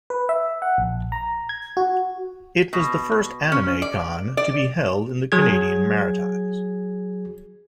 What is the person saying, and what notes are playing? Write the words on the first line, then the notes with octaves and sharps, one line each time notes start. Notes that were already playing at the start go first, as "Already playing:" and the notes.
It was the first anime con to be held in the Canadian Maritimes.
B4
E5
F#5
A#1
A#5
G#6
F#4
B2
C#4
D5
D5
F#3 G#4 G#6